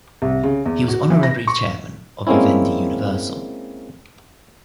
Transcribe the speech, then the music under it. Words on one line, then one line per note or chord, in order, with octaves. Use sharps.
He was Honorary Chairman of Vivendi Universal.
C2
C#3
E2
F#4
E3
A#6
C#6
G#3 A#3 C4 C#4 E4